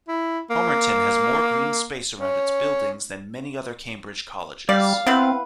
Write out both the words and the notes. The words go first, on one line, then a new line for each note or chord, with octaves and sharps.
Homerton has more green space around its buildings than many other Cambridge colleges.
E4
A#3
C#4
G3 D5 F5
B3 C4 E4 B4